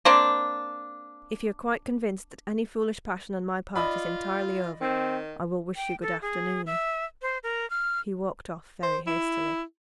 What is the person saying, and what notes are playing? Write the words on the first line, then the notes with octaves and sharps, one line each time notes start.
If you're quite convinced, that any foolish passion on my part is entirely over, I will wish you good afternoon.' He walked off very hastily.
A#3 C4 D4
F4 D5 D#5 B5
D#3 C4
G5
A4
G#4
E5
C5
A#4
F6
C5
E4